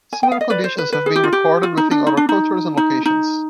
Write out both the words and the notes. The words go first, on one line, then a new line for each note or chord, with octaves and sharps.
Similar conditions have been recorded within other cultures and locations.
G#5
G5
F5
D#5
B4 D5
C5
B4
B4
G#4
G4
F4
G4
F4
D#4
D4
D#4
D4
D#4
D#4
D#4